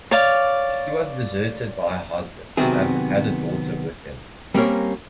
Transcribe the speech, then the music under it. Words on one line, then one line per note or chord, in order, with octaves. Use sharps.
She was deserted by her husband, and has a daughter with him.
C#5 D5 F5
C3 D#3 F#3 B3 C4 G#4
G3 A#3 C4 C#4 A#4 C#5